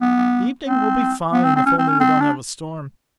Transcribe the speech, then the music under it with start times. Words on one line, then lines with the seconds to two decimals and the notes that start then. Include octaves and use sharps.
The evening will be fine, if only we don't have a storm.
0.01 B3
0.67 C4
1.33 B3
1.44 C4
1.56 C4
1.66 C#4
1.78 C4
1.88 C#4
2.00 C4
2.21 D4